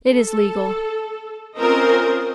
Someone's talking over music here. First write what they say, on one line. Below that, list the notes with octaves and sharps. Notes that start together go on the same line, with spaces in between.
It is legal.
A4
C4 C#4 F4 A#4 C5 D#5